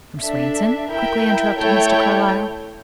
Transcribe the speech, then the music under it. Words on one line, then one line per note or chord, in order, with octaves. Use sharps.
"From Swainson?" quickly interrupted Mr. Carlyle.
D4 A4 E5
E4 A#4 E5 G5
A3 E4 A4 C#5 G5